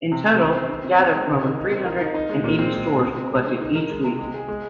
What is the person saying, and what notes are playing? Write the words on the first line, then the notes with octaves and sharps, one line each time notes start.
In total, data from over three-hundred and eighty stores are collected each week.
C3
C3
C4
C4
D#3
C4
C4
G#3
D#3
D#3
D#4
C4
A#4
D#4
D#4
G#3
A#2
C4
G#3
G#3
G#3
C4
G#3
D#3
D#4
A#4
G#3
C3
G#3
G#4
G#3